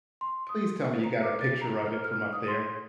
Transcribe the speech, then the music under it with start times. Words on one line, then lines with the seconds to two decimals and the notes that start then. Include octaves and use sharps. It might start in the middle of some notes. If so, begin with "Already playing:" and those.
Please tell me you got a picture of it from up there.
0.21 C6
0.49 D#6
1.04 A#5
1.23 D6
1.41 A6
1.61 A#5
1.86 F6
2.04 F6
2.33 D#6
2.48 C6